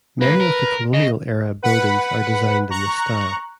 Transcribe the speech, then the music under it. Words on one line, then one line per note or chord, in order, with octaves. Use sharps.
Many of the colonial era buildings are designed in this style.
C#2 A#3 B4
A#4
C#3 D#5
B4 F#5 B5
A#5 C#6 F#6